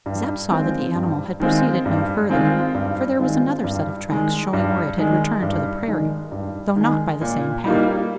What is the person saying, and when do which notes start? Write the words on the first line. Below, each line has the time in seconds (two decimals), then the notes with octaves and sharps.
Zeb saw that the animal had proceeded no further: for there was another set of tracks showing where it had returned to the prairie--though not by the same path.
0.06 G2
0.51 D#3 G#3 C4 F4
0.95 G2
1.40 D#3 G#3 C4 F4
1.86 G2
2.30 D#3 G#3 C4 F4
2.74 G2
3.19 D#3 G#3 C4 F4
3.64 G2
4.09 D#3 G#3
4.53 G2
4.98 D#3 G#3
5.43 G2
5.88 D#3 G#3
6.32 G2
6.76 D#3 G#3
7.21 A#2
7.66 G3 A#3 D#4